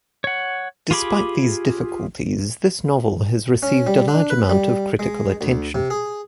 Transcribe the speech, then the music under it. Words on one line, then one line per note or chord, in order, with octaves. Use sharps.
Despite these difficulties, this novel has received a large amount of critical attention.
C#5 F#5
F4 G4 G#4 B5 D6
C#4
G3
D4
B4
G3
G#3
D2
C3
G#4